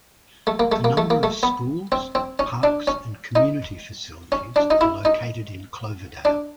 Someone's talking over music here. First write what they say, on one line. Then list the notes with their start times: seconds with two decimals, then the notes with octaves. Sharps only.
A number of schools, parks and community facilities are located in Cloverdale.
0.47 A3
0.59 A#3
0.72 A3
0.84 A#3
0.97 A3
1.10 A#3
1.23 A3
1.43 B3
1.92 C4
2.15 C4
2.39 C#4
2.63 D4
2.87 C#4
3.35 D#4
4.32 C#4
4.56 D4
4.70 D#4
4.81 E4
5.05 D#4
6.25 D4